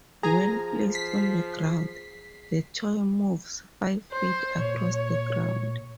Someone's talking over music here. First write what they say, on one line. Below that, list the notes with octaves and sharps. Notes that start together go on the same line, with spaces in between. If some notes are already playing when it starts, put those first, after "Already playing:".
When placed on the ground, the toy moves five feet across the ground.
F3 G#4 G#5 A#5
B6 C7
C5
A#2 C#5